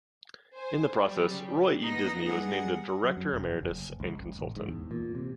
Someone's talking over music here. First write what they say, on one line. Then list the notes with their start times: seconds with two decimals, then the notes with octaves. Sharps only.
In the process, Roy E. Disney was named a Director Emeritus and Consultant.
0.55 C5 G#5
0.97 F#3 G3
1.30 C#3
1.82 A#3 B3 D#4 A#6
2.26 G3 G#4 F#5
3.04 F#3
3.17 F#2
3.34 F1
3.63 F#1
4.00 C#2
4.18 F#1
4.39 A1
4.56 G#2
4.68 E2
4.91 A#2
5.15 C3